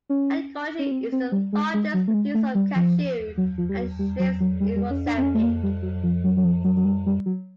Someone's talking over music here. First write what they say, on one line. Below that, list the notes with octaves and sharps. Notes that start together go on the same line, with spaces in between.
Angoche is the largest producer of cashew and shrimps in Mozambique.
C#4
C#4
C4
C4
G3
G#3
G#3
F#3
A3
G#3
A3
G3
F3
F#3
F3
G3
F#3
G3
F#3
F#3
G3
G3
C#4
D4
C4
C#4
A3
A#3
G3
F#3
F3
F#3
F#3
F3
F#3
F#3
G3
G3
F#3